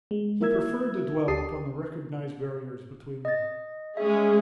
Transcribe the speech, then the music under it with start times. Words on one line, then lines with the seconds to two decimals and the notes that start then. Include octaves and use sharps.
He preferred to dwell upon the recognized barriers between them.
0.11 G#3
0.40 A#3 E4 A#4 E5 E6 G#6
1.28 D2 G4 D5 A5 D#6 C7
3.25 D#5 A6
3.97 G#3 C#4 G#4 E5